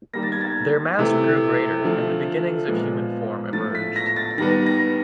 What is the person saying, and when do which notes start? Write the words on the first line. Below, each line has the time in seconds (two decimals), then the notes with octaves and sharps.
Their mass grew greater, and the beginnings of human form emerged.
0.13 D#3 G3 A#3 A#6
0.23 A6
0.32 G#6
0.41 A6
0.99 C3 E3 A3
1.84 D3 F3 A3
2.68 A#2 F3 G#3 B3
3.53 A2 F3 A3 A6
3.75 B6
3.96 A#6
4.16 A6
4.38 D#3 G3 B3 A#6
4.67 A#6